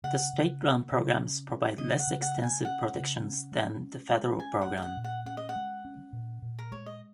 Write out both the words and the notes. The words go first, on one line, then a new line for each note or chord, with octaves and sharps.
The state-run programs provide less extensive protections than the federal program.
C#3 F#5
C#3
A#3
C#3
C#4
C#4
C#3 D#5
F#5
C#3
F#5
A#3
G#5
C#4 F#5
C#3
C#4
G#3
C#4
G#3
C#4 G#5
F#5
C#4
D#5
F#5
A#2
F#5
C#4 F#5
D#5
F#5
G#3
C#4
A#2
A#2
A#4
G#3 C#5
D#5